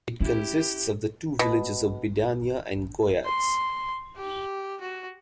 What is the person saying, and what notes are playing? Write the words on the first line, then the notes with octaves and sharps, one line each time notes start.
It consists of the two villages of Bidania and Goiatz.
C#4 E4 G4
B2
C6
G4
F#4